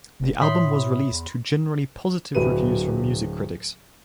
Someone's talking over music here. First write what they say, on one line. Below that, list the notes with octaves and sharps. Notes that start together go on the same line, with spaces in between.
The album was released to generally positive reviews from music critics.
F1
A2 C#5 E5 B5 C6 D#6
E2
D1 F#3 B4 D#7